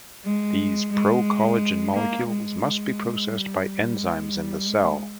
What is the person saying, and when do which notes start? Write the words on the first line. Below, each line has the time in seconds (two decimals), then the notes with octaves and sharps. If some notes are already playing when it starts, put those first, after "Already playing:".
These procollagen molecules must be processed by enzymes in the cell.
0.25 G#3
0.92 G#3
1.94 A#3
2.28 G#3
3.30 G3
3.98 G#3
4.32 G3
4.66 G#3